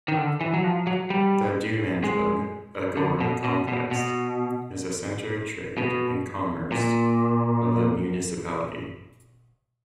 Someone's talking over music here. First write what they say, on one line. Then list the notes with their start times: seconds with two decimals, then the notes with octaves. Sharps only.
The Dumanjug Agora Complex is the center of trade and commerce of the municipality.
0.08 D#3
0.17 D3
0.41 E3
0.54 F#3
0.64 F3
0.87 F#3
1.10 G3
2.04 G#3
2.97 D3
3.21 B2
3.44 B2
3.68 B2
3.91 B2
5.78 B2
6.72 A#2